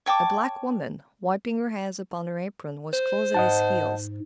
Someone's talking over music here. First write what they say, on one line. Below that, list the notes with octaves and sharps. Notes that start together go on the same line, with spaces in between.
A black woman, wiping her hands upon her apron, was close at his heels.
C#5 G5 A5 D6
C5
G#2 D#5 F#5 A5